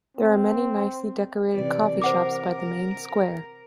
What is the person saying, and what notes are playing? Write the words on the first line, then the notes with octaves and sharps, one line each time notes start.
There are many nicely decorated coffee shops by the main square.
C4
C3 E3 D5
A#4 C5 F#5 D6